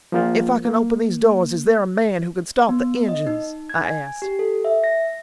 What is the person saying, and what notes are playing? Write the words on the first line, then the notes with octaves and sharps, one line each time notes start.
"If I can open these doors is there a man who can start the engines?" I asked.
F3 A#3 F4
A#3
B3
D#5
D#4
G#6
G#5
G4
A4
E5
A#6